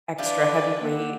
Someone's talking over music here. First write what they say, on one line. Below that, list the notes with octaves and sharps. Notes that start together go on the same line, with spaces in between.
extra, heavy weight.
G3 D4 E4 F4 B4 D5
A#3 C4 G4 F#5